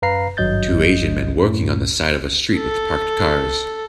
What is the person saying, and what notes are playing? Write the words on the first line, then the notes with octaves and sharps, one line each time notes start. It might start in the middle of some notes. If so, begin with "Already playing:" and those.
Two asian men working on the side of a street with parked cars.
F#2 B4 F5 A#5 C7
G#1 G2 F#3 D#5 G6 A6
F#2 A2
A4